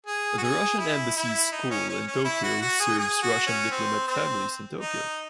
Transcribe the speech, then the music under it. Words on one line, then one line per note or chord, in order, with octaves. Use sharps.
The Russian Embassy School in Tokyo serves Russian diplomat families in Tokyo.
G#4
F#4
G#4
E4
E4
D#4
C#4
C#4
C#4
E4
F#4
F#4
G#4
G#4
F#4
C#4
C4
C4
D#4